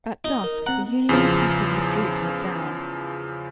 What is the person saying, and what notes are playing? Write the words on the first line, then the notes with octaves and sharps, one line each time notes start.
At dusk the Union attackers withdrew to McDowell.
D#4
A#4
C4 F#5 A#5
E2 C#3 F3